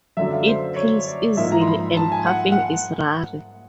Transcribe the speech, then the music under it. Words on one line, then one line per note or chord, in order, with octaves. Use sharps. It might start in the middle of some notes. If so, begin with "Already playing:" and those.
It peels easily and puffing is rare.
F#2 D3 F#3 E5
F5
C5
C#5
D5
G#2 F3 A#3 D#4 E5
A#5
C6
B5
A5
G#5
F#5
F#5